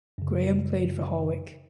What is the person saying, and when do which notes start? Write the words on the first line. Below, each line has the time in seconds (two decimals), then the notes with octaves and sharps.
Graham played for Hawick.
0.18 F#2 C#3